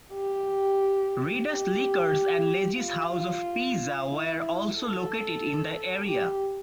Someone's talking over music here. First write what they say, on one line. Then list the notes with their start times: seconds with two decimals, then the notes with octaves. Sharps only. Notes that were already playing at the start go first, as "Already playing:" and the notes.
Reda's Liquors and Lizzi's House of Pizza were also located in the area.
0.13 G4
1.46 G4
2.77 F4
4.09 E4
4.76 A4
6.07 G4